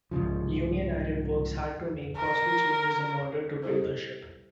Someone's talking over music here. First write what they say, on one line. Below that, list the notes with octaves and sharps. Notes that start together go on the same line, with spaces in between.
Union Iron Works had to make costly changes in order to build the ship.
C2 G#2 C#3 F3
A#4
G3 E4 G4 A4 C5